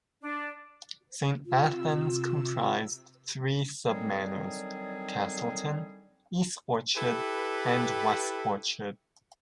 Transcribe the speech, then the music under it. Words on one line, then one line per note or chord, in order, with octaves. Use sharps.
Saint Athan's comprised three sub-manors: Castleton, East Orchard, and West Orchard.
D4
C3 F4 E6
D3 D#3 F#3 G3 C4 G#4
E4 G4 A4 B4